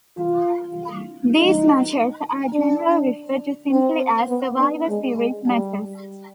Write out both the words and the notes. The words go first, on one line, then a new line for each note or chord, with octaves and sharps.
These matches are generally referred to simply as Survivor Series matches.
F4
D#4
D4
C4
B3
D4
G#3
G#3
G3